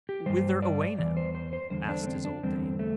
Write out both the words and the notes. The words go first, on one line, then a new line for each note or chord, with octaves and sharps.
'Whither away, now?' asked his old dame.
G4
G2 G3 C5
D5
E2 E3 D5
C5
C5
C5
E2 D3 G3 C5
D4
A3
C4
D4
E2 D3 G3 C4
A3